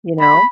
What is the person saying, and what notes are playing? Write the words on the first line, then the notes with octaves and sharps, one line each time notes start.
You know?
B5